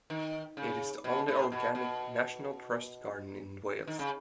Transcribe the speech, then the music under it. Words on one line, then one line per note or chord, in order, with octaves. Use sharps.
It is the only organic "National Trust" garden in Wales.
D#3
C#3
B2
A2
B2
B2
D#3
C#3